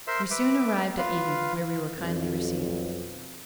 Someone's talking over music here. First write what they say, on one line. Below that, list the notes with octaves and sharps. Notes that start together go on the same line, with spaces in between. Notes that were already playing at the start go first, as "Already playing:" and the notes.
We soon arrived at Egan, where we were kindly received.
A#4 C5 E5 C6 E6
B4 E5 D6
F4 B4 F5
B1 F2